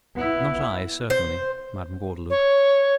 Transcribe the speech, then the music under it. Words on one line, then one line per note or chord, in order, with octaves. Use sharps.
"Not I, certainly, Madam Gordeloup."
B3 E4
C5
C#5